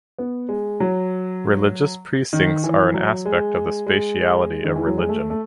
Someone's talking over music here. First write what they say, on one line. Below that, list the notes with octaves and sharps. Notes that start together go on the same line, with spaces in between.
Religious precincts are an aspect of the spatiality of religion.
B3
G#3
F#3
D#3
E3
F#3
G#3
G#3
D#3
E3
F#3
G#3
A3
A3